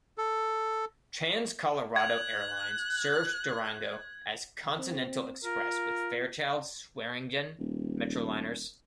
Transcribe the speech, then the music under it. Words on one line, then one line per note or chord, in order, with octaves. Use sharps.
Trans-Colorado Airlines served Durango as Continental Express with Fairchild Swearingen Metroliners.
A4
F#6 G#6
C4
F4 A#4
D#1